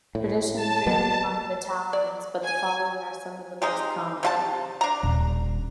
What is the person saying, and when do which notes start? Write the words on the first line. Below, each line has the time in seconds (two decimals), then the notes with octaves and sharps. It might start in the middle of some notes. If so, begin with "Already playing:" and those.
Traditions vary among battalions, but the following are some of the most common.
0.15 A2
0.56 A5
0.86 F#3 A#3 B3
1.93 D5
2.43 G#5
3.62 C3 G#3 D#4
4.23 C3 F4 A5
4.81 D4 A#5
5.03 D#1